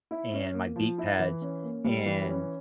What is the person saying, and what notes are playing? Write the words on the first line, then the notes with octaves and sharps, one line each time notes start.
and my beat pads, and
E4
C#4
A#3
F3
E4
E3
C#4
A#3
G3
E3
C#4